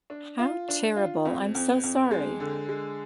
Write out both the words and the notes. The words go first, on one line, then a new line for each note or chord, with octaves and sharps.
How terrible, I'm so sorry.
D4
F4
D4
F4
F2
F2
F2
G#3
D3
G#3